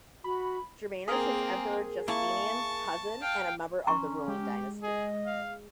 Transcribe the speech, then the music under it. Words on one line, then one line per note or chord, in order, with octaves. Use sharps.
Germanus was Emperor Justinian's cousin, and a member of the ruling dynasty.
F#4 B5
A#3 C4 G#4 A#4
A#3 E4 A5 C#6
F5 G5
C#4 A#5 C6 C#6
G#3 G4
G#4 D#5
F5